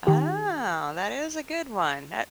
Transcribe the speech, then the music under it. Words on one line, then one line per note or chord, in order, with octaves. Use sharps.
Oh, that is a good one, that
D#3 G4